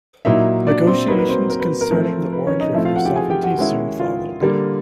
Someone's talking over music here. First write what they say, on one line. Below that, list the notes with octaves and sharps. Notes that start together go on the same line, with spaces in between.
Negotiations concerning the Orange River Sovereignty soon followed.
A#2 F#3 A#3 D#4 E4 E5
D4 D5
C4 C5
F#3 A#3 D#4 B4
B4
C4 C5
A#4
B4
A#4
F3 A3 C4
B4
C#4 C#5
D#4 D#5
F3 A3 C4 E4 E5
F4 F5
F#4 F#5
G4 G5
G#4 G#5
G4 G5
F#4 F#5
D#3 G#3 C#4 E4
F4 F5
D3 G3 A#3